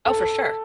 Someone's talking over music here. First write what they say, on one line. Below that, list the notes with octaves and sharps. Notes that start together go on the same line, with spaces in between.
Oh, for sure.
A4